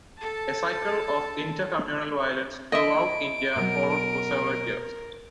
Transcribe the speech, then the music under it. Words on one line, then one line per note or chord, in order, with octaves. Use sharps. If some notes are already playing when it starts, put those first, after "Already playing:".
A cycle of inter-communal violence throughout India followed for several years.
A4 A5
E4 D#5 E5 D7
B2 F#3 A#4